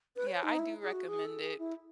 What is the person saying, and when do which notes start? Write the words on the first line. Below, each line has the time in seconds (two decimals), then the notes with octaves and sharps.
Yeah, I do recommend it,
0.16 B4
0.27 C#5
0.43 D#4
0.59 E4
0.81 G#4
0.93 F#4
1.08 G#4
1.25 A4
1.42 G#4
1.59 E4